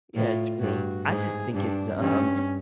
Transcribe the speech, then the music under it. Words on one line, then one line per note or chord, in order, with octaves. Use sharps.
Yeah, true. I just think it's, um,
A2 F4
G2 F#4
G#2 G#4
G2 D4
G2 C#4